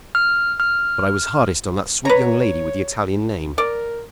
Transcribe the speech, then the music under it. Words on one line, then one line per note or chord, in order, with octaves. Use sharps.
But I was hardest on that sweet young lady with the Italian name.
F6
F6
B4 C#5 A#5
A#4 D5